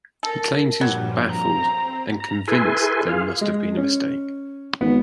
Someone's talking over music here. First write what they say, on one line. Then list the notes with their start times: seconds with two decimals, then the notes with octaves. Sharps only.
He claimed he was "baffled" and "convinced there must have been a mistake".
0.23 A4 A#4 A5
0.81 G2 A#2 F3 F#3 G4 B5
1.32 C4 A#5
2.20 A#5
2.48 E4 G#4 A4 B4 G#5 C6
3.09 F4 G#4 F5
3.41 G#3
3.77 C#4
4.81 G#1 B3